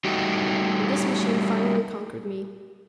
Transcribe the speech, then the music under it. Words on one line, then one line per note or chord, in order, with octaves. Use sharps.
And this machine finally conquered me.
G3 A3 D#4 F#4 G4